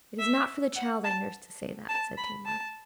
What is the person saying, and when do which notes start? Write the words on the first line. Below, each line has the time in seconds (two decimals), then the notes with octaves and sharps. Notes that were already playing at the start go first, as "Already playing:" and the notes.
'It is not for the child I nursed to say that,' said Tamar.
0.19 E5
0.76 F#5
1.04 A5
1.89 A5
2.17 B5
2.45 A5